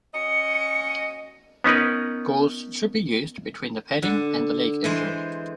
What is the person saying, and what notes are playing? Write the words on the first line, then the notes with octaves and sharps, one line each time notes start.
Gauze should be used between the padding and the leg injury.
C#4 F#4 D#5 C#7
B3 C#4 D#4 A#4 B4
D3
E3 G#3 C5